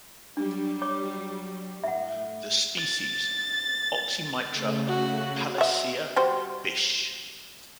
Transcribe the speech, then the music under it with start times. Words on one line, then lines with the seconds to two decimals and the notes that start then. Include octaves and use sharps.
The species "Oxymitra paleacea" Bisch.
0.37 F#3 G3 D4
0.82 C#5 D6
1.84 A2 E5 F#5
2.78 A6
4.50 C#3 A3
4.87 F#4
5.58 F#4 E5
6.16 G3 F#4 C5